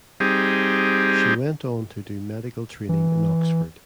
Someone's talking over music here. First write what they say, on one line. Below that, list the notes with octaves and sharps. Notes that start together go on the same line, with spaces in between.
She went on to do medical training in Oxford.
G3 C4 D#4 G4 G#4
E3